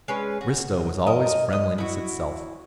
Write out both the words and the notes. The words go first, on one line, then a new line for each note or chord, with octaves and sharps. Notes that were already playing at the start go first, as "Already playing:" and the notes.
Bristow was always friendliness itself.
G#3 C#4 B4
F#4
A#4 D#5
D#5
E4 F#4